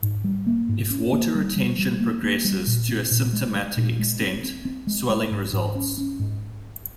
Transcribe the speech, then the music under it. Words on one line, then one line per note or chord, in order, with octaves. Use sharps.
If water retention progresses to a symptomatic extent, swelling results.
G#2
G3
A#3
G#2
C#4
A#3
G3
G3
G3
A#3
A#3
G3
A#2
C4
A#2
G#3
G#3
A#2
G#3
C4
C4
C4
G#3
G#3
G#2
G#2
C#4
C#4
G#2